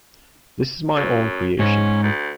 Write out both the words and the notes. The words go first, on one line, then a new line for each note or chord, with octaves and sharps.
This is my own creation.
F#2
G#2 C#4
D2